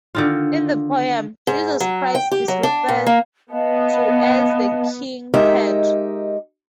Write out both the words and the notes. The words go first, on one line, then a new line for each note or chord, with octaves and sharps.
In the poem, Jesus Christ is referred to as the "king cat".
D3 D#3 F4
G#2
F#3
G5
G4
F#3
D4
A#2
A#3
B3 D#5 F5 A5
G#3 D#4 G4 A#4 D#5 E5